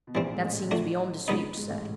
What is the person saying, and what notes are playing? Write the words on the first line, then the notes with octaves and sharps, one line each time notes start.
"That seems beyond dispute, sir."
B2
A#1 A#2 E3 G3 C4
G#2
A1 A2
F3 A3 D4 F#4
C#2 B2 G3 B3 D#4
G#2
A1 A2